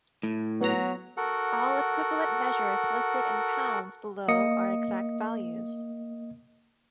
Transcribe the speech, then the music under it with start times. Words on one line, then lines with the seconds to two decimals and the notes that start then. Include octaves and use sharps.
All equivalent measures listed in pounds below are exact values.
0.23 A2
0.61 F#3 B3 F#5 A#5
1.17 F#4 A4 A#4 F#5
4.28 A#3 D#5 D#6 C#7